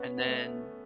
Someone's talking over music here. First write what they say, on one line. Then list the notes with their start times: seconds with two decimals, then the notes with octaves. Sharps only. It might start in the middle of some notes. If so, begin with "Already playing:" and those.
and then,
Already playing: B3 C#4
0.17 B3
0.26 A3